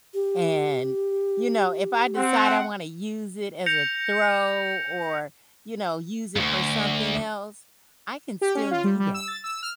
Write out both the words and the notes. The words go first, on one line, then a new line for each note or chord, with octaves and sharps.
and, you know, if I decide I wanna use it as a throw, or, you know, use it for something else, I can still do that,
G4
C4 F#5
G6 A#6 C#7 F7
D2 G2
G4
C#4
F4
G3
G3
E6
A6
E6
F6